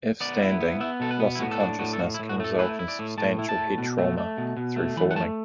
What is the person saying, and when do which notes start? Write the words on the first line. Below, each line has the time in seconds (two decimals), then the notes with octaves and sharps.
If standing, loss of consciousness can result in substantial head trauma through falling.
0.20 B3 D5
0.41 E4
0.61 B3
0.80 B3 E5
1.00 B2 A4
1.11 B4
1.20 B3
1.35 E4
1.39 A2 F#4
1.51 A4
1.60 D4 F#4
1.79 A2 F#4
1.93 A4
1.99 A2 F#4
2.14 E4
2.19 A2
2.29 F#4
2.40 A3 A4
2.58 E4 B4
2.79 E4
2.88 D5
2.99 A2
3.18 A2 A5
3.39 E4
3.49 A5
3.57 A2
3.78 B2
3.98 A3
4.18 A3
4.38 B2
4.57 B2
4.76 A3
4.97 E3 B5
5.11 F#5
5.16 A3 A5